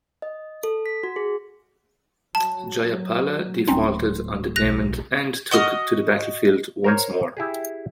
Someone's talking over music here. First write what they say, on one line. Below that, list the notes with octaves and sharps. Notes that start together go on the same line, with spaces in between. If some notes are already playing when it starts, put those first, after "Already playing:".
Jayapala defaulted on the payment and took to the battlefield once more.
D#5
A4
B6
F#4
G#4
F#3 A5
D1 C4 C#4 D#4 C6
B1 F#6 A#6 F7
F#4 D#5 D#6 F6
A#4 C5 C#5
E4 G4 G#4